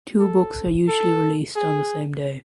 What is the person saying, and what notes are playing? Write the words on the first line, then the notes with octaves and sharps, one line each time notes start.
Two books are usually released on the same day.
A4
A4
G#4